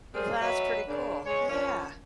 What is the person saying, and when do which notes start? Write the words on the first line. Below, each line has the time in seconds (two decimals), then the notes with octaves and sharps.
That's pretty cool, yeah.
0.14 F#2 G3 G#4 A#4 C5
0.41 F#3 C#4 B4 D#5 E5
0.88 C#3 A#3 D4
1.25 G#3 C#5
1.48 F3 A#3 C#4